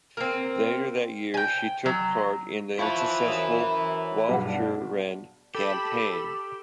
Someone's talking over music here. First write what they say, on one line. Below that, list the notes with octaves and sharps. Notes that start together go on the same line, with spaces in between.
Later that year she took part in the unsuccessful Walcheren Campaign.
A#3 C4
G5 G#5
F#3
F3 E4 B4 A5 C#6
F#2 C5 D#6 E7
B1 G2 G#4 F5 F#5
D4
G4 A4 B5 E7